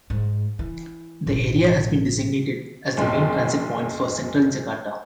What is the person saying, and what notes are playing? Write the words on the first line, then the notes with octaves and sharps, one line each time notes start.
The area has been designated as the main transit point for Central Jakarta.
G#2
E3
A1 B2
F#1 B1